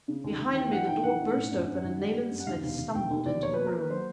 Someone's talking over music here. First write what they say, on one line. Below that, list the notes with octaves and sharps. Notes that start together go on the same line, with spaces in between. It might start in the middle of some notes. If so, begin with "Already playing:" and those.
Behind me the door burst open and Nayland Smith stumbled into the room.
C#3
D#2
D#2
E3 G5
E3 F#5
B1 G5
E3 F#5
B1
A2
F#2
F#2
G#1
G3
G3
F#2
F#5
D#2 F5
E1
E1
E1 G5
D#2
E1 D5
A#3 C#5
A#3 B4
A#4
A#3 B4
F#3 C5